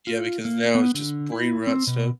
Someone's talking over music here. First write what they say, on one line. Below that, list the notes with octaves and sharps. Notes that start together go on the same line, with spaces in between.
Yeah, because now it's just brain rot stuff.
F4
A#3
B3
D3
E4
C4
B2